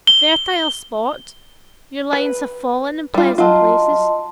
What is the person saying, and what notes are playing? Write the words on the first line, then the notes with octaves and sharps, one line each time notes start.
A fertile spot! your lines have fallen in pleasant places!
G7
B4
G3 F4
F#3 F4 D#5 A5 C6